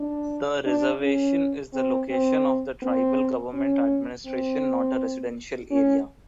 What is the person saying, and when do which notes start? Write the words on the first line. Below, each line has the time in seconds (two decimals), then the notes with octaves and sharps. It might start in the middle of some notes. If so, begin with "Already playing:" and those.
The reservation is the location of the tribal government administration, not a residential area.
Already playing: D4
0.66 D4
1.01 C#4
1.73 C4
2.10 C4
2.82 C4
3.54 C#4
4.27 C4
5.71 C#4